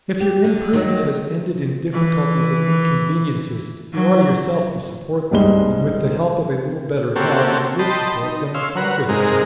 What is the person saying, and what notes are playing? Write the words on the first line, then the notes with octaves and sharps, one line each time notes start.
'If your imprudence has ended in difficulties and inconveniences, you are yourself to support them; and, with the help of a little better health, you would support them and conquer them.
G4
D3
D#3 F#3
E3
F#3
C2 G#2 G3 G#3 G7
A#3 C4 C#4 F#4 G4 A4
D#5 G5 A5 B5 C6
D#4
C#4 F5 C6 E6
F#4 A#4 B4 F#5
G#2 C3 G#3 A#4